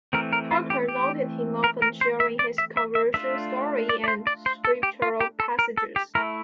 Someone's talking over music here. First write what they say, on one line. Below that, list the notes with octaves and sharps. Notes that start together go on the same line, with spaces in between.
Parker noted him often sharing his conversion story and scriptural passages.
E3 A3 C4 A#4
A#4
F4
G4
G4
A#4
A#4
C5
E5
D5
E5
E5
E5
A3 D4 F4 E5
D5
D5
C5
D5
C5
A4
G4
F4
G4
A4
A#4
A4
G4
A3 E4 A#4